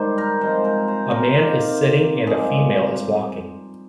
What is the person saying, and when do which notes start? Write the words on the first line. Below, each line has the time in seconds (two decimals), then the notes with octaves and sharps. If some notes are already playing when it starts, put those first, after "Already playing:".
A man is sitting and a female is walking.
Already playing: G#2 D#3 G3 C5
0.18 A#4
0.41 C3 F3 G#3 C5
0.65 A#4
0.88 C5
1.11 A#4
1.34 C3 D#3 A#3
2.27 G2 F3 G#3 G#4